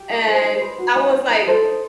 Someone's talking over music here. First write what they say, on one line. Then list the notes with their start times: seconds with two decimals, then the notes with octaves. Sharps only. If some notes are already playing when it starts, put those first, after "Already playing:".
and I was, like,
Already playing: G4
0.09 D#4 D#5
0.27 D#4 B4
0.33 C5
0.44 D#4
0.55 C5
0.61 B4
0.78 F#4
0.96 D#4
1.13 D#4
1.30 D#4
1.47 A4 C5
1.64 D#4